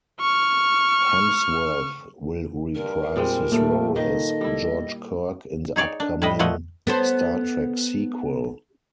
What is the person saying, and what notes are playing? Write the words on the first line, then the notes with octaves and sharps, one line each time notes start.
Hemsworth will reprise his role as George Kirk in the upcoming "Star Trek" sequel.
C#6 F6
G2 A#4
A#2 G3 G#3 C4
A#2 G3 A3 A#3
D#3 A4 D#5
G3 E4
D#4 G#4 C#5 D5
D4
A2 G3 B4 D#5
A#2 F3 A3 F#4 D#5
B3 A4 C5